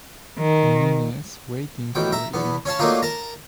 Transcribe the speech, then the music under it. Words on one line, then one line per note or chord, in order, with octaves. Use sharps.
Nunez waiting for him.
D#3
A1 B2 G5
E5 A#5
E2 B3
C#4 C#5 F5 A5
F#3 A3 A#3 D4 D#4 F4
A#4 A5 A#5